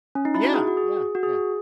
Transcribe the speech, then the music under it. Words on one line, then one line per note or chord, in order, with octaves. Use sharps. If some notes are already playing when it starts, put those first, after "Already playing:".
yeah! Yeah, yeah.
C#4
D#4
E4
F#4
G#4
F#4
G#4
F#4
G#4